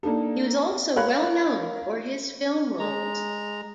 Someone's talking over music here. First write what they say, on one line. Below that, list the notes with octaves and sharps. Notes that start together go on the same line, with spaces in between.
He was also well known for his film roles.
A#3 D4 D#4 A4
A#4 C#5 F5 B5 F#6
G#3 A#5